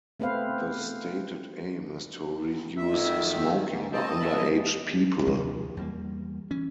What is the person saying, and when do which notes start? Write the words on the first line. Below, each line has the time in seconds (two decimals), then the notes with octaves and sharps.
The stated aim is to reduce smoking by underaged people.
0.20 A3 B3 C4 B4 C5 F5
2.77 F2 E5
2.94 D#3 F#3
3.74 G#2
3.93 C4 D#5 A5
4.21 B4 E5
5.27 D#2 C3 F3 G#3
5.77 E2 G3 A#3
6.51 E3 C#4